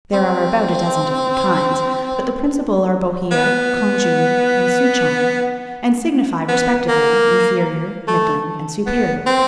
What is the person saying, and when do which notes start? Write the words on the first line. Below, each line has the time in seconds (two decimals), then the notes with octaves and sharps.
There are about a dozen different kinds; but the principal are Bohea, Congou, and Souchong, and signify, respectively, inferior, middling, and superior.
0.13 C4
3.31 B3
6.49 B3
6.88 A#3
8.07 A3
8.86 B3
9.26 C4